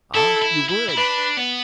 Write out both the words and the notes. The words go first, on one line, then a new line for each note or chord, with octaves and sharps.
Ah, you would?
E4 A4
E4
E4
E4
D4 B4
B3